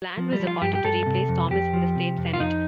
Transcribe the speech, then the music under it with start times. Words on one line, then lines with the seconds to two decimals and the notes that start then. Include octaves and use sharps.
Bland was appointed to replace Thomas in the State Senate.
0.17 F3
0.32 G3
0.40 F3
0.47 F4
0.62 G2 G4
0.75 G4
0.84 G2 A4
1.06 C3
1.29 F2
1.50 F2 G4
1.73 F3
1.96 C3
2.18 F2
2.34 F4
2.40 F2 D#4